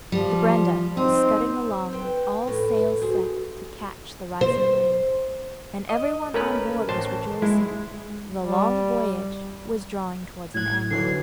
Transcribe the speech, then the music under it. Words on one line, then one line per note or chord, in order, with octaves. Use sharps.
The Brenda was scudding along with all sail set to catch the rising wind, and everyone on board was rejoicing, for the long voyage was drawing towards an end.
F3 G3 F4
C4 D#4 C5
B4 C5 G5
A2
F#4 G#4 C5
C5
D#5
A3 C#4 A#4 B4
A1 C5 A5
G#3 E4
G3
A2 F#6 G#6
D3 E3 F#3 C7